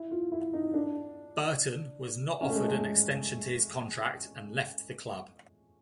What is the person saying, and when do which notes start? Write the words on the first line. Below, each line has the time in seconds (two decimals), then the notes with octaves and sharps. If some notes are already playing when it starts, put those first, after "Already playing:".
Burton was not offered an extension to his contract and left the club.
Already playing: E4
0.11 F4
0.32 E4
0.53 D#4
0.74 D4
2.41 C#4
2.49 A3
2.55 G#3
2.68 G#3